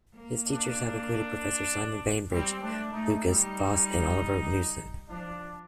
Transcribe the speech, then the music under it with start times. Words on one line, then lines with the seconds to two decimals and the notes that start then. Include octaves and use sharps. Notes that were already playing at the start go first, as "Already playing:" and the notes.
His teachers have included Professor Simon Bainbridge, Lukas Foss and Oliver Knussen.
0.14 A#3
0.46 D4
2.30 G3 C4
2.62 A3 D4
2.92 A3 D#4
3.23 G3 D#4
5.08 F3 D4